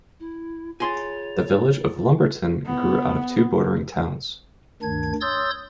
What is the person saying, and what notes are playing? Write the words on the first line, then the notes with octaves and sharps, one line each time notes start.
The village of Lumberton grew out of two bordering towns.
E4
F4 G#4 C#5 G#5 C6 A6
B3
D2 G2 D#3 D4 G#6
C#5 C6 D#6 E6 G6 A6